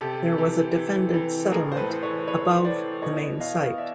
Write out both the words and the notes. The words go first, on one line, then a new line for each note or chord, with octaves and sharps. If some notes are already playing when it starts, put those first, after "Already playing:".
There was a defended settlement above the main site.
C3 G4 A4
E3
E3
E3
A2 G#4 A#4
C5
A4 B4
E3
B4 C#5
E3 B4 C#5
E3 C5 D5
B2 C#5 D#5
B2 D#5 F5
D5 E5